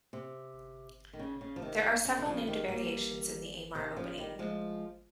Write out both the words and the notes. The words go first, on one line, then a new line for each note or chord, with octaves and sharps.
There are several named variations in the Amar Opening.
C3
D#3
C#3
C#3
F3
C3 D#3
C#3
D#3
C#3 F3
D#3 G3
G3 A#3
C3 D#3
C#3 F3
D#3 G3
F3 G#3